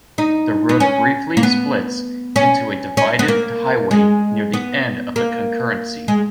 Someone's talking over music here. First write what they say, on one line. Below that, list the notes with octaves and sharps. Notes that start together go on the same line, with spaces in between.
The road briefly splits into a divided highway near the end of the concurrency.
D#4
B3
C#4
A#3
B3
C#4
C#4
B3
A#3
G#3
B3
A#3
G#3